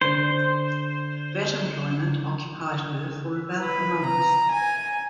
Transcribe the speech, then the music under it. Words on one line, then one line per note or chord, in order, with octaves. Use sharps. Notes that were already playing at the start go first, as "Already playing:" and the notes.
That employment occupied her for about a month.
D3 C5
B4
A#5
G#5